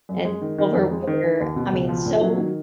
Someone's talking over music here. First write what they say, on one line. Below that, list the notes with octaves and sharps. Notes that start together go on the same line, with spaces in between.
and silverware I mean, so,
F#2
G#3
D#3
D#3
F2
G#3
D#3
D#3
D#2
B2
C#2
F3
A#2
F#3
D#3